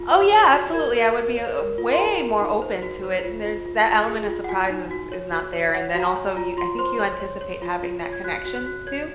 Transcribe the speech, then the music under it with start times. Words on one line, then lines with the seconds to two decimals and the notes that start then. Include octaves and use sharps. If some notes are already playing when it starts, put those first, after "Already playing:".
Oh, yeah, absolutely, I would be a a way more open to it, there's that element of surprise is is not there, and then also, yo I think you anticipate having that connection, too,
Already playing: F4
0.12 C#5
0.32 C#5
0.53 F#4
0.74 A#4 G#6
0.95 A#4
1.15 A#4
1.37 C#5
1.58 A#4
1.78 F4
1.93 C6
1.99 A#4 A#5
2.20 A#4
2.41 D#4
2.62 C5
2.82 F#4
3.03 C5
3.24 F4
3.45 F4
3.66 F4
3.86 F4
4.07 G#4
4.29 F4
4.44 F#5
4.49 F#4 G#5
4.70 D#4
4.91 F#4
5.12 C#5
5.32 F#4
5.53 C#5
5.75 C#5 F#5
5.95 F#4
6.00 A#5
6.05 G#5
6.16 C#5
6.36 F4 A#5
6.57 F4 C6
6.79 C5 C6
6.99 C#5
7.20 C#5
7.41 C#5
7.62 F4
7.82 F4
8.04 C#5
8.13 G#6
8.24 F#4 F#6
8.45 F#4
8.55 F#6
8.66 F#4
8.87 C#5 G#6